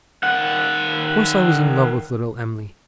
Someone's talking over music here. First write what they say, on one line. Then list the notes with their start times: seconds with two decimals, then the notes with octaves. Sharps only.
Of course I was in love with little Em'ly.
0.23 D#3 F#5